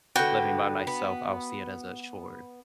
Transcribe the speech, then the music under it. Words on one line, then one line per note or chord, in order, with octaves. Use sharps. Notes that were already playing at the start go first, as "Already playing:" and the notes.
living by myself, I'll see it as a chore,
D3 B3 F#4 G5
B3